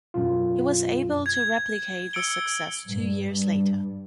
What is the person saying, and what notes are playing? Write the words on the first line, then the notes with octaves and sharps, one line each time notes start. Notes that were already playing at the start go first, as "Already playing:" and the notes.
He was able to replicate this success two years later.
F#2 B2 F4
G#6
E6 C#7 D7 G7
G2